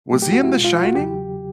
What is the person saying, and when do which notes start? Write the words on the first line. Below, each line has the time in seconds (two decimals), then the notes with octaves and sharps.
Was he in The Shining?
0.12 A2 F#3 A3 G4
0.22 G4
0.33 F#4
0.43 E4
0.54 G#3 F4
0.57 B2
0.65 F4
0.75 F4
0.85 F#4
0.95 E2 C#3 F#3 G4